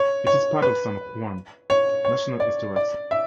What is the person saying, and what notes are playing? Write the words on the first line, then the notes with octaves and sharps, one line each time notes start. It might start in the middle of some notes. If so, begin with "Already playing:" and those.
It is part of San Juan National Historic Site.
Already playing: C#5
C#5
B4
C#5
C#5
D5
D5
E5